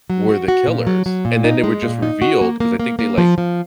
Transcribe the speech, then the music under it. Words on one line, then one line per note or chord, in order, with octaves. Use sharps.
were the killers, and, then, they were just revealed 'cause I think they, like
F#3
F#4
F#4
A#2
F#3
F#3
A#2
D#4
G#3
A#2
D#4
F#4
A#3
A#3
A#3
A#3
F3
F3